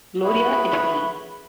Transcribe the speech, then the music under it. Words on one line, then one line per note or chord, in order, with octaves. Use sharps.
Gloria, it's me!
E4 G#4 B4 C#5 F#5 B5